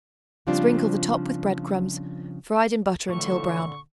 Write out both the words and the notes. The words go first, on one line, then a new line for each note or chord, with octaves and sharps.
Sprinkle the top with bread-crumbs fried in butter until brown.
C#3 F3 G3 C4 D4 F4
A2 D3 E3 F3 A3 C#6